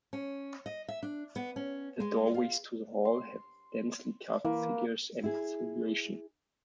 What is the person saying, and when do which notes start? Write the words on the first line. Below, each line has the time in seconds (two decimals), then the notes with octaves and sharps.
The doorways to the hall have densely carved figures and foliation.
0.13 C#4
0.66 D#5
0.88 E5
1.03 D4
1.36 B3
1.56 C#4
2.00 G#3
2.34 F4
3.05 C6
4.45 E3 A#3 B4
5.24 E4 G#4